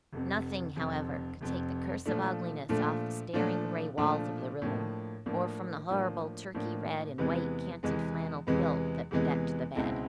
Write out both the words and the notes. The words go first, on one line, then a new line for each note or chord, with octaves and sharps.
Nothing, however, could take the curse of ugliness off the staring gray walls of the room, or from the horrible turkey-red and white canton-flannel quilt that bedecked the bed.
F1 F2 C3
F1 F2 C3
F1 F2 C3
A#2 F3 A3 D4
A#2 F3 A3 D4
A#2 F3 A3 D4
A#2 F3 A3 D4
A2 F3 A#3 D4
A2 F3 A#3 D4
A2 F3 A#3 D4
A2 F3 A#3 D4
E2 C3 E3 G#3 B3
E2 C3 E3 G#3 B3
E2 C3 E3 G#3 B3
E2 C3 E3 G#3 B3
C#2 B2 G#3 C4 E4